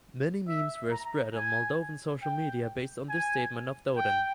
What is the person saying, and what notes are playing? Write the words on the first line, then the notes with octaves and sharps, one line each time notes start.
Many memes were spread on Moldovan social media based on this statement of Dodon.
E5
A#5
G#5
G5
G#5
G5